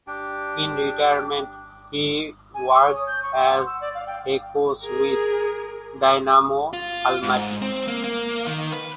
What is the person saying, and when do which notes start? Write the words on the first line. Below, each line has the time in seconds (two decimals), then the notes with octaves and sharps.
In retirement he worked as a coach with Dynamo Almaty.
0.07 D4 G4 G5
2.54 G#5
2.70 C#6
2.83 C#5
2.95 D#6
3.07 G6
3.23 C#6
3.38 F#5
3.54 C6
3.66 E6
3.81 D5
3.95 F5
4.07 G5
4.83 G#4 A#4
6.73 F4
7.23 G#2
7.62 C4
7.88 A#3
8.04 A#3
8.47 D#3
8.73 B4